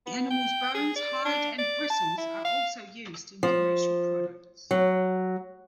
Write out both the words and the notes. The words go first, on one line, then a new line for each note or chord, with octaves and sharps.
The animal's bones, hide, and bristles are also used in commercial products.
B3
G5
G#4
D5
D4
D5
A5
E4
F5
F3
F#3